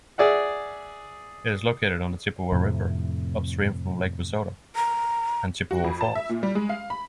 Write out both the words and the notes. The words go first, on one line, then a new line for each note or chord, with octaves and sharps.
It is located on the Chippewa River, upstream from Lake Wissota and Chippewa Falls.
G#4 D5 E5 F#5
F2 A2 C3
A#5
F#4
F2
A5
E5
A#2
G3
G#3
F5
B5